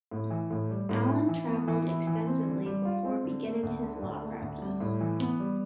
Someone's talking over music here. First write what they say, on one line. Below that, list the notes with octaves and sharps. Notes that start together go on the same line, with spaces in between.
Allan travelled extensively before beginning his law practice.
A2
E3
A2
G3
A2
E4
E3
B3
E3
E4
E3
C4
D3
G3
F4
C4
D3
A3
D2
D3
D2
A3
D2
G3
A2
E3
B3
G3